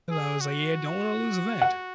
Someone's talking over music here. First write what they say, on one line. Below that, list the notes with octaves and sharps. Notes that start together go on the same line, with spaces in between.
And I was, like, "Yeah, don't wanna lose that."
G#4
F#4
F#5